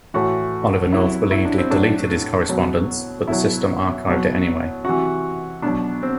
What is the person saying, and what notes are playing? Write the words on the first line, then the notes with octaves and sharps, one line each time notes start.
Oliver North believed he had deleted his correspondence, but the system archived it anyway.
A2 E3 F#4
C3 F#3 E4
E4
D4
C4
A2 F#3 D4
B2 F#3
B2 F#3 E4
B2 F#3
C3 E3 F#4
B2 F#3 D4
C4